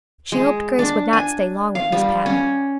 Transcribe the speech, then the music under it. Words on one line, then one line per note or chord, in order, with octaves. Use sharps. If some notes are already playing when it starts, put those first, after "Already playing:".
She hoped Grace would not stay long with Miss Patten.
G#3
D4
G#5
F5
G3
C#4